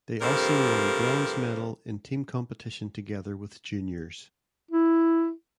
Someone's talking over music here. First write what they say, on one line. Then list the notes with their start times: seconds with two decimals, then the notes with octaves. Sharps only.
They also won bronze medal in Team competition together with juniors.
0.21 G2 C3 F3 A4 A#4
4.71 E4